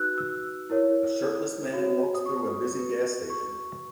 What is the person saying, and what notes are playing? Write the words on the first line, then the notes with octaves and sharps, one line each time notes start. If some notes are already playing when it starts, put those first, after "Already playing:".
A shirtless man walks through a busy gas station.
Already playing: D#4 F#4 B4 E6 F#6
E6
E4 A#4 C#5
F#4 C#5
D#6
C#6
F#4 B4
C#6